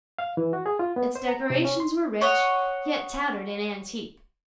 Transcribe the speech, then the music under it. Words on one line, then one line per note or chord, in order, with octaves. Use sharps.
Its decorations were rich, yet tattered and antique.
F5
E3
F#4
G#4
F4
B3
C5
A#5
C3
C#4
C6
C#5 D#5 F#5